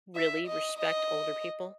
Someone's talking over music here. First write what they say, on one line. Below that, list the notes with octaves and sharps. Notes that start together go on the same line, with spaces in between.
really respect older people
E5
D#5
D#5